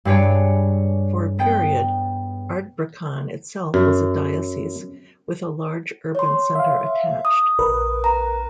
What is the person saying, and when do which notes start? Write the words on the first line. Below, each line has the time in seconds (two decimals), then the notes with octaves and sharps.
For a period, Ardbraccan itself was a diocese, with a large urban centre attached.
0.05 G2 D4 G#4 B4 C#5 D7
1.39 B3 G5
3.74 F#2
6.15 C#5 C6
6.55 E5 F5
7.25 D#6
7.59 A#1 A#4 B4
8.04 A#5